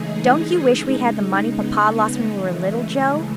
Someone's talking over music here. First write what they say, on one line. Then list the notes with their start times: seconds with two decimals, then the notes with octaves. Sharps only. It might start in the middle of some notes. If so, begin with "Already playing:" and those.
Don't you wish we had the money Papa lost when we were little, Jo?
Already playing: C#3 E3 G#3 A3 D#4 G#4
0.69 C#3 G#3
1.50 B3
2.30 C#3 E3 G#3 A3
2.70 A3